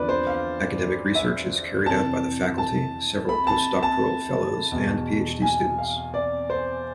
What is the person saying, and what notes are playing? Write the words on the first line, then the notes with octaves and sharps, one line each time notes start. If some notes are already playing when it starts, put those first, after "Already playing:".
Academic research is carried out by the faculty, several post-doctoral fellows, and PhD-students.
Already playing: E2 D3 F3 B4 D5
C5
F5
E5
F2 C3 E3 A5
A5
B5
A5
A5
E2 B2
G#5
F5
D5
C5